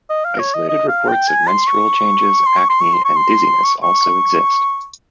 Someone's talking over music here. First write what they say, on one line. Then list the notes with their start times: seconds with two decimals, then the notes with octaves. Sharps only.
Isolated reports of menstrual changes, acne, and dizziness also exist.
0.10 D#5
0.25 F5
0.39 C#5
0.54 D#5
0.69 D#5
0.89 F5
1.08 G5
1.28 G#5
1.47 C6
1.67 C#6
2.46 C6
2.58 C#6
2.70 C6
2.81 C#6
2.94 C6
3.05 C#6
3.16 C6
3.64 C#6
3.83 C#6